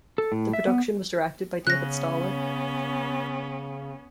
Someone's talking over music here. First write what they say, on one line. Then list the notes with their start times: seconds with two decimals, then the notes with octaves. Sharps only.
The production was directed by David Staller.
0.18 A4
0.32 A2
0.53 E5
0.67 B3
1.67 C#3 B3 C#4 F#6 A#6